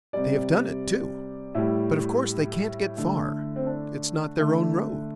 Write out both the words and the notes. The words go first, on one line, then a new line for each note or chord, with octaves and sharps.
They have done it, too; but of course they can't get far: it's not their own road.
C3 G3 D5
A2 G3 E4
D3 A3
C4
D4
D3 A3